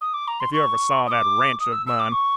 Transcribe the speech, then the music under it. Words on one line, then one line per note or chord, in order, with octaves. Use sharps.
If you ever saw that ranch of mine!
D#6
D6
A#5
C6
C#6
D#6
D6
D#6
E6
E6
D6
C#6